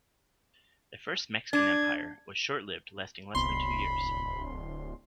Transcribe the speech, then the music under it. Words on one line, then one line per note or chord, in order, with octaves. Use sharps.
The First Mexican Empire was short-lived, lasting less than two years.
D4 G#6
D1 C2 B3 B5 C6